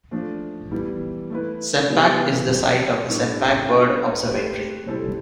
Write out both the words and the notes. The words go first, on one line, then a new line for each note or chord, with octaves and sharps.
Sempach is the site of the Sempach Bird Observatory.
F3 A3 D4
E3 G3 B3 E4
A3 E4 B4
C3 E3 G3 B3
G3 C4 G4
A2 G3 D4 A4
G3 D4 F4 B4
A3 C4 G4 B4
C3 G3 C4 E4 A4